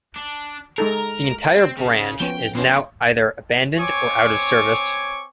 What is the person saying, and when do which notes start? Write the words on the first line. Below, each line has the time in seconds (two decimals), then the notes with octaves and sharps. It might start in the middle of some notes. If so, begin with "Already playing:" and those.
The entire branch is now either abandoned or out of service.
0.16 D4
0.78 G#3 D#4 A4 A#4
1.56 C4
1.77 C#3
2.20 F3 B3 C#4 G5
2.55 E3 B3 C#4 C5
3.79 C4 C#5 G#5 C#6 D6